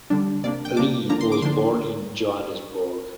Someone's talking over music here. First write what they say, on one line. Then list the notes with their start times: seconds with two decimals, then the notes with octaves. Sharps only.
Lee was born in Johannesburg.
0.10 D3 G3 D4
0.44 C3 A#3 D4 D5
0.65 G5
0.77 C3 A#3 D4 D6
1.09 D3 F3 A#3 D4 A#5
1.21 C6
1.32 D6
1.42 D3 F3 A#3 D4 C6